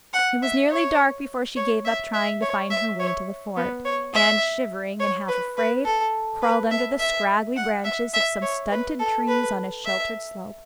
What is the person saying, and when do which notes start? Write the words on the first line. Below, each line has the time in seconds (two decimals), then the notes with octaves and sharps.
It was nearly dark before she gave up trying to find her way to the fort, and, shivering and half afraid, crawled under the scraggly branches of some stunted trees on a sheltered slope.
0.14 F#5
0.43 E5
0.71 C#5
1.57 C#5
1.85 E5
2.13 E5
2.42 C#5
2.71 E5
3.00 C#5
3.57 B3
3.85 C#5
4.14 E5
5.00 C#5
5.28 B4
5.57 B4
5.86 A4
6.42 B4
6.71 E5
6.99 E5
7.57 F#5
7.85 E5
8.14 E5
8.42 C#5
8.71 B4
9.00 A4
9.28 B4
9.85 E5